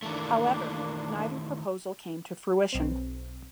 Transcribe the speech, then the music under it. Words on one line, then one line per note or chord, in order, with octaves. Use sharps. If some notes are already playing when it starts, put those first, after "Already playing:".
However, neither proposal came to fruition.
D#3 E3 A3 A#3 D4
B1 C4